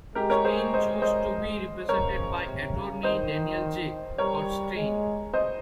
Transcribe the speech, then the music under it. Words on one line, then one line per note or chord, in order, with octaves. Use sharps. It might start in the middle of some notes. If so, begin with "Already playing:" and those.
Steyn chose to be represented by attorney Daniel J. Kornstein.
G#3 G4 A#4
A#4 C#5
G#4 C5
C5 D#5
C5 D#5
C#3 A#4 C#5
C3
C#3
D#3 C5 D#5
G3 A#4 C#5
G#3
C5 D#5